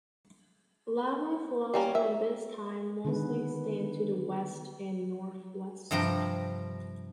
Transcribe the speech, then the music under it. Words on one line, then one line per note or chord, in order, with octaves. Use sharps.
Lava flows from this time mostly extend to the west and northwest.
G3 A#3 C#4 G4
A#4 E5
D3 D#3 G#3 B3 G#4 B4
G2 C3 F3 G5 A#5